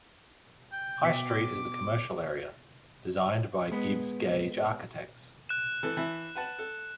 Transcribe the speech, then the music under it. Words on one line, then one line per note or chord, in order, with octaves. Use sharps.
High Street is the commercial area, designed by Gibbs Gage Architects.
G5
B2 G5 D6 B6
G#3 B3
F#6 E7
E3 A4 B4
E3 E5 A5
B4 F#5 A5
A4